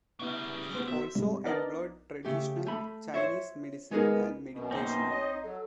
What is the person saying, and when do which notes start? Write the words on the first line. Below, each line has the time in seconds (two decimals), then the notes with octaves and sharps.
He also employed traditional Chinese medicine and meditation.
0.19 C#3 G3 B3 E4
0.74 B3 C5
0.88 B2 E5
1.15 C2 G#2 C3 G3
1.44 B3 D4 D#4 A#4 D5 D#5
2.25 C#3 A3 G4
2.67 A3 B5
3.14 C5 C#5 E5
3.91 G#3 B3 D#4 G#4 A#4
4.53 F#2 B2
4.71 A#3 C4 D#4 C5
5.10 C#5 D#5
5.31 D#5
5.44 F#3 A4